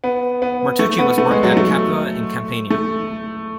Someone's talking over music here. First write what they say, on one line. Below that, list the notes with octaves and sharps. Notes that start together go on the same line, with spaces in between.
Martucci was born at Capua, in Campania.
B3
B3
A3
B3
A3
G#3
F#3
A3
A3